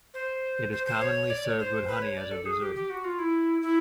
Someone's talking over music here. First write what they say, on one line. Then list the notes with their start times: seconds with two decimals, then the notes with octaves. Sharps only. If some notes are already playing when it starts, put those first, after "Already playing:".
It is commonly served with honey as a dessert.
0.14 C5
0.72 C5
0.87 C5
1.02 C#5
1.30 D5
1.45 C#5
1.59 C5
1.88 B4
2.02 C#5
2.17 D5
2.31 A4
2.46 G#4
2.60 G4
2.75 G4
2.90 F#4
3.04 F4
3.19 E4
3.62 E4